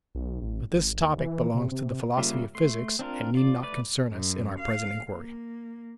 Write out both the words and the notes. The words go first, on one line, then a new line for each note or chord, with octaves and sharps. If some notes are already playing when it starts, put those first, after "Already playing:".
But this topic belongs to the philosophy of physics, and need not concern us in our present inquiry.
B1
A1
G#1
D#2
E3
C3
C3
C#3 G3 A#3 F4 E5
A3 C6
C4 D4 F4 A#4
F4 D5
A3 B4 D5
F#2
F5
A#3